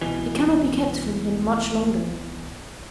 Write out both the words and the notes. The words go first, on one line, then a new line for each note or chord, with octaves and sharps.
It cannot be kept from him much longer.
C2 B2 E3